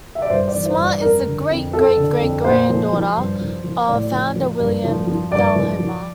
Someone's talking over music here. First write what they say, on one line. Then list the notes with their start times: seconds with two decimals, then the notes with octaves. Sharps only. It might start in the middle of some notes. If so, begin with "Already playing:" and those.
Smartt is the great-great-great-granddaughter of founder William Thalhimer.
0.15 E5
0.22 D5
0.30 G2 C5
0.48 D5
0.54 E3
0.66 C5
0.77 G2
0.83 D5
1.01 F2 A#4
1.25 D3
1.50 F2
1.73 F2 A4
1.97 D3
2.20 F2
2.44 A#2 C5
2.69 F3
2.93 F3
3.16 G2
3.40 F3
3.64 F3
3.88 A2 D5
4.12 F3
4.36 F3
4.60 G2
4.84 F3
5.07 F3
5.31 G2 D5
5.56 F3
5.79 F3